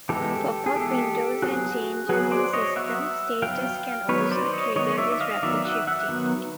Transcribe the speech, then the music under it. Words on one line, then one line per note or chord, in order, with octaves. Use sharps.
Pop-up windows and changes in system status can also trigger this rapid shifting.
E3 G#3 B3 G4 A4
G#4
E3 G#3 B3 G4 A4
F#3 B3 F#4 G#4
F#3 B3 F#4 G#4
C5 D5
C#5 D#5
F#3 B3 E5 F#5
F#3 B3 F5 G5
D#3 F#3 B3 B4 C#5
C5 D5
C#5 D#5
D#3 F#3 B3 C#5 D#5
D5 E5
E5
D#5 F5
D#3 F#3 B3 D5 E5
E5 F#5
E5 F#5
D#3 F#3 B3